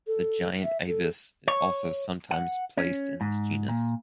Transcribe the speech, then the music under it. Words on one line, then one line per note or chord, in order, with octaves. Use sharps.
The giant ibis is also sometimes placed in this genus.
A4
E5
A4
C#5
F#5
C#4
G#2
A#2